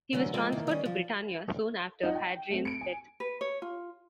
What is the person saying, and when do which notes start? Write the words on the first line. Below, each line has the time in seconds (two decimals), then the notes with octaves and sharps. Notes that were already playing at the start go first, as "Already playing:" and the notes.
He was transferred to Britannia soon after Hadrian's death.
0.13 D3 E3 F#3 A3
0.34 E3 F3 G#3 A#3 A4 G5
0.52 D#3 E3 A#3
0.67 D#3 G3 C#4
0.86 F3
2.03 D#4 F4 F#5
2.15 G5
2.50 A3 C4
2.65 C#7 D7
2.81 G#5
3.20 B4
3.41 C#5
3.62 F4